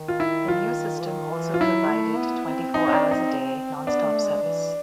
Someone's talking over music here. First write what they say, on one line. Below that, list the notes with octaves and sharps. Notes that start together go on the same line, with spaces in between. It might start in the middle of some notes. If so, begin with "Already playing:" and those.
The new system also provided twenty-four hours a day, nonstop service.
Already playing: D#3
F4
E4
F4
E3
D#3
E3
F4
F#3 E4
A3
B3
C4
D#4
C#4
D4
D#4
C4
B3 D4
A3
G#3
E3